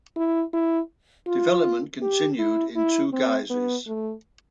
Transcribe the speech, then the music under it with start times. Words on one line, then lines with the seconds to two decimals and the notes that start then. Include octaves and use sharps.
Development continued in two guises.
0.16 E4
0.53 E4
1.28 F4
2.02 G4
2.39 E4
2.76 E4
3.13 C4
3.50 B3
3.87 A3